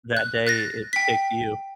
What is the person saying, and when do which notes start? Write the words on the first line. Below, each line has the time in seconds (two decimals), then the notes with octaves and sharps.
that day it picked you.
0.17 F#6
0.47 F#6 A6 A#6
0.93 G5 B6